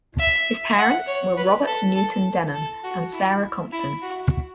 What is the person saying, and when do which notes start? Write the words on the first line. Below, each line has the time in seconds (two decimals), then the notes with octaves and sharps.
His parents were Robert Newton Denham and Sarah Compton.
0.19 E5
0.78 F#5
1.07 C#5
1.37 B4
1.67 A4
1.96 A4
2.54 A4
2.84 F#4
3.13 E4
3.72 E4
4.02 F#4